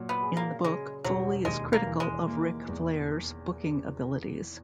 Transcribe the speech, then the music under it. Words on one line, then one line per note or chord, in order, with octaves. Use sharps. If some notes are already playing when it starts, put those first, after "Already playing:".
In the book, Foley is critical of Ric Flair's booking abilities.
Already playing: A#2 F#3
B3
G#4
A#3
C#3 G#3
E1 F#3
D#2 G#3
A#3
E3
G#3
A#3
E2